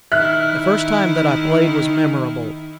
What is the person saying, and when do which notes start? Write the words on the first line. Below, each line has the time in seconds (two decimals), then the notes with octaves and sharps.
The first time that I played was memorable.
0.12 D#3 E4 E5 F6 F#6